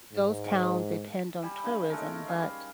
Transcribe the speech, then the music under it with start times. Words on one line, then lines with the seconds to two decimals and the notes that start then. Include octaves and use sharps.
those towns depend on tourism, but,
0.13 G#2
1.43 G3 G#5 B5
1.64 G2 C#3 D#4 G#5
1.90 G#3 A3 C#4 A#4
2.27 G3 G#4 F5